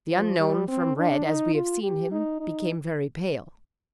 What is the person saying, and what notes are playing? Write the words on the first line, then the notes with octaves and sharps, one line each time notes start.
The unknown, from red, as we have seen him, became very pale.
F3
G3
C4
D4
D#4
F4
G4
D#4
D#4